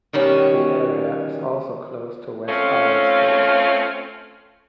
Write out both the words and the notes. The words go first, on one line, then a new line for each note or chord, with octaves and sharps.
The area is also close to West Island School.
B2 D#3 G3 C#4 F#4
A3 C4 C#4 F4 C#5 F5